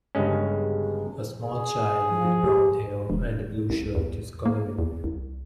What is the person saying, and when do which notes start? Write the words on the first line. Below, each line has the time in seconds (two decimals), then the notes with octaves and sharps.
A small child with brown hair and a blue shirt is coloring.
0.15 G1 G2 C#3 G#3 C#4
1.44 G#4
2.10 F3
2.43 G4
3.10 E1
3.70 C2
3.95 E2
4.46 A#3
4.79 E2
5.04 C2